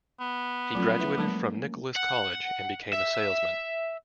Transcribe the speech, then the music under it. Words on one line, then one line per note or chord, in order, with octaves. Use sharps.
He graduated from Nichols College and became a salesman.
B3
F3 F#3 A3 C4 C#4 F4
E4 B4 E5
F#3 G#3 A#3 A5
F#5
E5